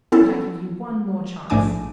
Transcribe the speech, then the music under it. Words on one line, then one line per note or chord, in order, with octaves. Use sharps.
But I give you one more chance.
B3 C#4 E4 A4
A#1 G#2 A3 D4 G#5 D6